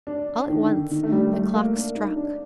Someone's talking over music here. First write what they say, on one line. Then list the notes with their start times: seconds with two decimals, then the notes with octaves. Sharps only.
All at once, the clock struck.
0.07 D4
0.49 D#3
0.70 D3
0.91 D#3
1.03 A3
1.12 G3
1.33 A3
1.54 A#3
1.75 D4
1.95 D#4
2.17 D4